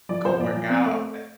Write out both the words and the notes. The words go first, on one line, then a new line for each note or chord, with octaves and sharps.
go work out, that
F3 D5
F3 C5
A#2 D5
F3
C4
A3